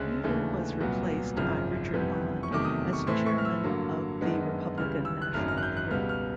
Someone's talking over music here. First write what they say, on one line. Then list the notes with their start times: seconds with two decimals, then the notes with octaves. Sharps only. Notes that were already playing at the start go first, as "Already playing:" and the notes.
Yeutter was replaced by Richard Bond as Chairman of the Republican National Committee.
Already playing: D2 C#3 G#3 C#4 F#6
0.24 D#2 C#3 E3 A3 D4
0.80 C2 A#2 F#3 B3
1.37 G#1 F#2 C#3 F3 F6
1.94 F2 C3 E3 G3 B3
2.43 C#6
2.50 E2 C3 D#3 F#3 A3 D6
2.65 D#6
2.93 C#6
3.07 A2 E3 A3 C4 E4 C6
3.26 C#6
3.38 F6
3.45 E6
3.64 G2 D3 F#3 A#3
4.21 F#2 D#3 G#3 B3 D4
4.78 C#2 C#3 E3 G3 F6
5.05 E6
5.22 F#6
5.34 G#1 F#2 D#3 F#3 F6
5.48 F6
5.57 F#6
5.63 G6
5.77 F#6
5.91 C#2 B2 G3 B3 F6
6.09 F6